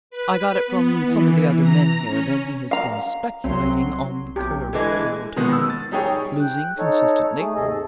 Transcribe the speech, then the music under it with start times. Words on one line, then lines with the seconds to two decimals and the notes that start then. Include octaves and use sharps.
I got it from some of the other men here that he has been speculating on the curb downtown, losing consistently.
0.10 B4
0.66 B3
1.04 E3
1.61 A#5
2.07 C#4
2.71 F5 A#5
3.44 C2 F#3 C4 C6
4.36 B1 G4
4.73 D3 E3 G#3 G#6
5.36 B2 D#3 G#3 B3
5.53 E6
5.70 A6
5.92 G3 D#4 G4 G#4 C#5
6.40 G5 F#6
6.78 D#4 A4 C#5
7.40 A3 G#4
7.56 D#2 G#2 C3 G#4 A4 D#5
7.71 A4